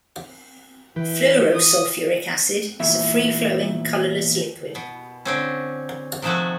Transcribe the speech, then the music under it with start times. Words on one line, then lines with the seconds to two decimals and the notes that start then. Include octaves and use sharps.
Fluorosulfuric acid is a free-flowing colorless liquid.
0.96 E3 E4 B4 G5
1.56 E4 D#6
2.80 E2 A#2 E4 E5
4.75 B2
5.25 D3 C4 C#4
6.22 C3 D#3 F3 G#3 A3 F#4